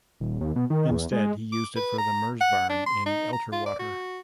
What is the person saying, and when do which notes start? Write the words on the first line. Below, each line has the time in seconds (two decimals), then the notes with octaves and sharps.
Instead he used it for the "Merzbarn" in Elterwater.
0.20 D#1
0.41 D#2
0.56 B2
0.70 D#3
0.91 E2
1.12 G#3
1.52 D6
1.76 B4
1.98 A#5
2.41 F#5
2.70 D4
2.86 C6
3.06 D#4
3.33 A#5
3.52 F4
3.66 D5
3.79 F#4